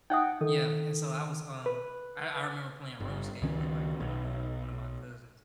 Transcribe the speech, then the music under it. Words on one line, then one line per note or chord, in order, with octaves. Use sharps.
Yeah, and so I was, um I I remember playing RuneScape with, like, one a, uh one of my cousins,
D#4 E5 F#5 G5 D#6
D#3 A4
B4
G1
C#2 D#3 C#4
B1